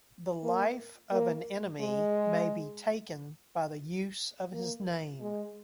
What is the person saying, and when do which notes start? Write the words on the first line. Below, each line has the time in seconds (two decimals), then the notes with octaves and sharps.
The life of an enemy may be taken by the use of his name.
0.43 A#3
1.12 A#3
1.80 G#3
4.53 A#3
5.21 G#3